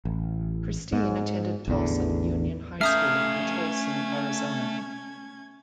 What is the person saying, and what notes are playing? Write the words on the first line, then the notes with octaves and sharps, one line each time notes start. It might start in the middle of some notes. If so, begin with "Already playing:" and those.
Christine attended Tolleson Union High School in Tolleson, Arizona.
A1
G#2
A1 E2 D3
A3 C#4 E5 F5 A#5 D#6 G6 G#6